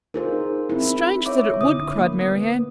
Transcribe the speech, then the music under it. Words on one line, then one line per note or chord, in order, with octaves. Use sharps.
"Strange that it would!" cried Marianne.
D#4 F4 G#4 A#4 C5
C4 E4
C#5 E5 D6
D3 E4 D#6
A#3
B3 D#6